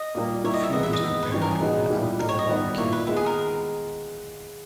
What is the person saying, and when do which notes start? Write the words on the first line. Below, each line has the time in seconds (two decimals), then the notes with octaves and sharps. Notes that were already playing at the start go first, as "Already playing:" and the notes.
Food was prepared on an outdoor barbecue.
Already playing: D#5
0.15 A#2 G3 A#3
0.44 G3 A#3 E4 C#5
0.54 D#5
0.64 E5
0.73 E3 G#3 B3 D#5
0.83 E5
0.93 D#5
1.02 D#3 G#3 B3
1.23 B4
1.31 E3 G3 C#4 C#5
1.42 A#4
1.51 G#4
1.60 B2 G#3 B3 D#4
1.90 A#2 G3 B3 E4
2.19 G3 A#3 D#4 A#4
2.29 C#5
2.39 D#5
2.48 D#3 G3 B3 D#4
2.78 A#2 A#3 E4 C#5
2.93 B4
3.07 D#3 G#3 B3 E4
3.17 G#4
3.26 A#4